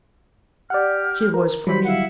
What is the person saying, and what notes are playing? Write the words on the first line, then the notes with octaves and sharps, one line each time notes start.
She was for me.
G4 D5 F#5 F6
A#4
F#3 G3 C5 B5
E4 F5 F#5